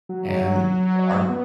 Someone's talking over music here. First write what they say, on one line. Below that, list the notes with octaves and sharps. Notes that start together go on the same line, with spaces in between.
and our
F#3
B3